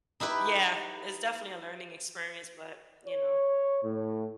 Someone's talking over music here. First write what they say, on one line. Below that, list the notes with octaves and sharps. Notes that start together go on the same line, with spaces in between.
Yeah, it's definitely a learning experience, but you know.
D#4 E4 G4 B4
C#5
A2